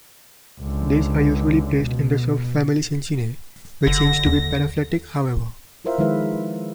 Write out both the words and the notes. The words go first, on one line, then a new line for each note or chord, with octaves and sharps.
These are usually placed in the subfamily Scincinae, which seems to be paraphyletic however.
C#2 D3
B2
F#1 D3 A#6
D#2
E4 F4 A#4 C5 E5 F5
D#3 F3 G#3 E4 B4 E5